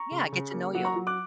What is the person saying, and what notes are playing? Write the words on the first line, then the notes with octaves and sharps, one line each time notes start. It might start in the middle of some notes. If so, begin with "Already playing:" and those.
yeah get to know you.
Already playing: A#5 C#6
C#3
C#3
A#3
F#3 F#5
A#5 C#6
F#3
D6 F#6